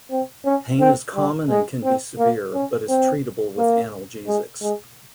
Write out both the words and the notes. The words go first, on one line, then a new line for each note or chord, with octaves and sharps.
Pain is common and can be severe, but is treatable with analgesics.
C4
C#4
C4
G3
G#3
C4
A#3
C#4
C4
A#3
G#3
G#3